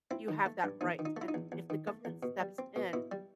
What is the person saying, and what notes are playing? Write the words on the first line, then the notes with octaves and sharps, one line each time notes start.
you have that right, and if the government steps in,
C4 E4
D#3
A3
G2
E2 D#4
D#3
D#4
A3 E4
D#4
E2
E2
D#3
A3
E2
B2
G3
C4
B2
B2 E4
G3